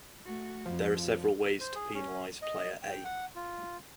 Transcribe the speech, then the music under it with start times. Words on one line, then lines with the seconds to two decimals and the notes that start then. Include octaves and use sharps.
There are several ways to penalize Player A.
0.24 A3 F#4
0.65 F2 F3
1.60 C5
1.75 G#4
1.94 C#4
2.42 D#5
2.83 G5
3.05 F#5
3.36 F4